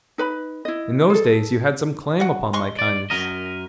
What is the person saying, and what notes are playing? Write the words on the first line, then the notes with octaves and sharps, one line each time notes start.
In those days you had some claim upon my kindness.
D#4 B4 B5
E4 D#5
G#4 A4
F#4 F#5
G#3 C6 C#6
D5
F#2 A#4 D#5